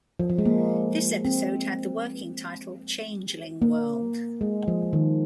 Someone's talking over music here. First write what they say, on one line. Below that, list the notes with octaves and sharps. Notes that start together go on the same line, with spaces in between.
This episode had the working title "Changeling World".
F3
F3
G#3
A#3
C4
A#3
G#3
F3
D#3